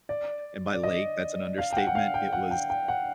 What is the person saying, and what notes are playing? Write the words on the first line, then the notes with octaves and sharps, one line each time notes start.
And by lake, that's an understatement. It was
D5
D5
D#5
F5
G5
F#5
F#5
F5
G5
F#5
G5
G5
F#5